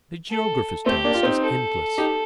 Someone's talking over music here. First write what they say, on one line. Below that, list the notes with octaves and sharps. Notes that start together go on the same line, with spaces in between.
The Geographer's task is endless.
A4
A3 C4 G4
A#3 D4
F4
C4 D#4
A4
D#4 G4